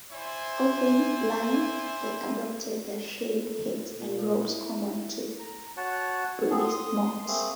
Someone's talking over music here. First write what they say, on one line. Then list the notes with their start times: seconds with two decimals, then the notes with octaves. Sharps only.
Often blind, they adopted the shaved heads and robes common to Buddhist monks.
0.12 E4 C5 D5 G#5
3.97 A#2
4.42 E4
5.39 A#5
5.77 F#4 C#5 F#5 A5
6.50 B3 C4 G#4 A4
6.64 C6 D#6
7.28 A3 A#3 C4 G#4